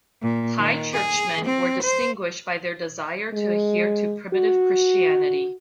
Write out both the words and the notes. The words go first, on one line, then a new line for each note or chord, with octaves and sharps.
High Churchmen were distinguished by their desire to adhere to primitive Christianity.
A#2
D#3
G#4
C4
C5
G#3
F#4